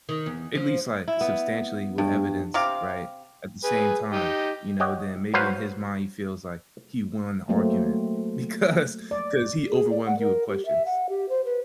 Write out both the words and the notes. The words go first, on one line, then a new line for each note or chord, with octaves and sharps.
at least, like, substantially with evidence, right, at the same time, you know, then maybe in his mind, he feels like he won the argument because ‘cause he overwhelmed you with questions.
D#3
E2
F3
E4
B3
G2
C3 G4 F5
G#4 B4
D#4 G4 D#5
G4 C#5 D#5 F#5
F#3 B4 C5 F5
F#3 A3 A#3 C4
D5
G#4
D5
F#5
A#4
G4
E5
F#5
G4
C5
B4